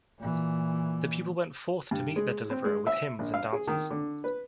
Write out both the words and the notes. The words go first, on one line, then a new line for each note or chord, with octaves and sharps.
The people went forth to meet their deliverer with hymns and dances.
A#2 E3
G2
G#3
C4
G#3
E5
A#1
F5
G#4
D#3
D3
B4